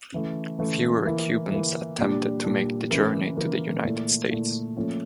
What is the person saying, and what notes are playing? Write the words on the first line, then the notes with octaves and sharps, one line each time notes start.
Fewer Cubans attempted to make the journey to the United States.
C#3 E3 A3
C#3 E3 A3
E3 A#3 E4
E3 A#3 E4
A#2 G3 D4
A#2 G3 D4
C#3 E3 A#3
C#3 E3 A#3
A#2 A3 E4
A#2 A3 E4
A#2 F3 A3 C#4